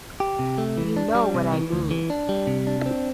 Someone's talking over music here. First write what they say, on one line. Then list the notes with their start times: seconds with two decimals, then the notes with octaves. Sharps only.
You know what I mean.
0.20 G4
0.39 C3
0.58 A3
0.77 E3
0.97 D4
1.15 G3
1.34 C3
1.53 E3
1.72 D2
1.91 E3
2.10 D4
2.29 G3
2.47 C3
2.67 D4
2.86 C4